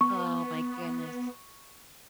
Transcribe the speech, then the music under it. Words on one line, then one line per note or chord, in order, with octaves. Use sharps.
Oh my goodness.
B3 C#6